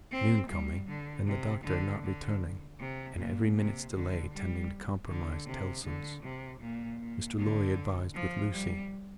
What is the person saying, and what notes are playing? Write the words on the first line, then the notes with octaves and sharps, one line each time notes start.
Noon coming, and the Doctor not returning, and every minute's delay tending to compromise Tellson's, Mr. Lorry advised with Lucie.
C4
G3
D3
C3
D3
D3
C3
A#2
C3
D3
G3
D3
C3
D3
C3
A#2
A#2
D3
F3
G3